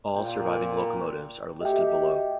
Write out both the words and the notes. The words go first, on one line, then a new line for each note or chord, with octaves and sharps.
All surviving locomotives are listed below.
A#2 G5
A3 F#4 G4 D#5 E5 G5